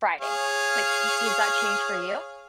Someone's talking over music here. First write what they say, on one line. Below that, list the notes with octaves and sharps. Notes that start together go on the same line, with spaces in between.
Friday." Like, does that change for you?
G#4 C#5 F5